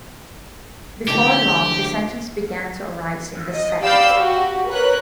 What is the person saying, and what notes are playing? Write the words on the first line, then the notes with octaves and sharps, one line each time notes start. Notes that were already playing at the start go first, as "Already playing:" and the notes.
Before long dissensions began to arise in the sect.
D3 F3 A3 G4
D#5
G4 D5 F5 B5 E6 G6
F#4 G4
A#4 B4 C#5 F#6